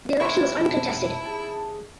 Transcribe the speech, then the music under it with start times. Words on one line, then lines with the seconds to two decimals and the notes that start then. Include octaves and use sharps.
The election was uncontested.
0.20 D#2 C3 A3 E4 C5 C#5 G#6
0.59 F2 B2 C4 A5
1.26 G#4 A5